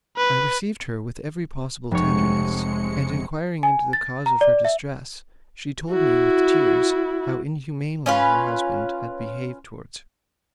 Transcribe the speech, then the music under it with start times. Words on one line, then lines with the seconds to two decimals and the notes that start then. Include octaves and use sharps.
I received her with every possible tenderness, and inquiring into the cause of her distress, she told me with tears how inhumanly her husband had behaved towards her.
0.17 B4
1.91 F1 C3 G#3 C#5 C#7
3.63 G#5
3.93 A6
4.26 A#5
4.41 D5
4.65 E5
5.90 E4 F#4
8.06 C#4 F4 B4